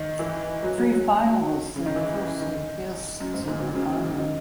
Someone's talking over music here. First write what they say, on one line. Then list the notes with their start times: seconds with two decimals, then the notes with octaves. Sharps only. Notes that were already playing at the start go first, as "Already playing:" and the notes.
Three finalists set personal bests in the final.
Already playing: D#3
0.19 E3
0.63 F#3
0.78 F#3
0.93 F#3
1.76 C#3
1.86 D#3
1.96 E3
2.41 D#3
3.20 F#2
3.34 G#2
3.48 A#2
3.60 B2
3.75 C#3
4.19 D#3